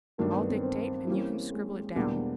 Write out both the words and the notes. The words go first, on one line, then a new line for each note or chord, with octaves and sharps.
I’ll dictate, and you can scribble it down.
G2 D#3 F#3 A3 A#3 D4
B3
C4
C4
E3 G3 A#3 C#4
G#3
E2 B2 G3 A#3 D4